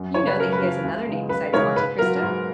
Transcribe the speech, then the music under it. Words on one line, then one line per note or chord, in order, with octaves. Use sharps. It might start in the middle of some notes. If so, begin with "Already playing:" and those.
"You know that he has another name besides Monte Cristo?"
Already playing: F#2
C#3 F3 C#5
B4
F#2 A#4
B4
C#3 F3
C#2
C#3 G#3 B3 D#4
C#2 B4
C#3 G#3 B3 D#4 A#4 C#5
G#2 B4
F#3 B3 F4 A#4
G#2